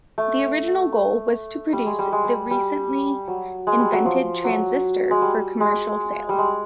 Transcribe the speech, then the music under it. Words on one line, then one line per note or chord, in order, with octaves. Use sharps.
The original goal was to produce the recently invented transistor for commercial sales.
A3
G3
G#3
G3
G#3
G3
G3
F#3
G#3
G3
F#3
F3
F#3
G#3
G3
G#3
G3
G#3